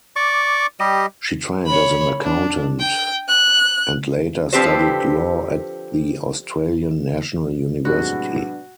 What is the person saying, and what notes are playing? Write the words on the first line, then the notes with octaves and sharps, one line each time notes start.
She trained as an accountant, and later studied law at the Australian National University.
D5 C#6 D6
G3 G4 D#5
C#5 B5
D4
G5
F#6
D3 F3 C4 G4 B4 C5
A2 C3 F#3 G#3 B3 D4 F#4